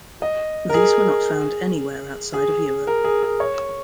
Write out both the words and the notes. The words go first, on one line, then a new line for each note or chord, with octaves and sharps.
These were not found anywhere outside of Europe.
D#5
A#4
G#4
G#4
A#4
G#4
G#4
C#5